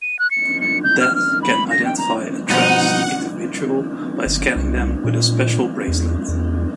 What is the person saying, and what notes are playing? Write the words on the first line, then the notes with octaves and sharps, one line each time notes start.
Deth can identify a tranced individual by scanning them with a special bracelet.
D#7
F#6
C#7
C#7
G6
F6
F6
B5
A#6
G5
A#5
G2 B2 F3 D#4 F#5
G1
C2
A#2
E2
E2